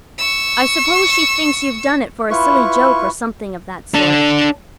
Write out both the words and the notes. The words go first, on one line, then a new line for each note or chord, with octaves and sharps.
I suppose she thinks you've done it for a silly joke or something of that sort.
C#6 E6
E4 F4 B4 C#6
D4 A4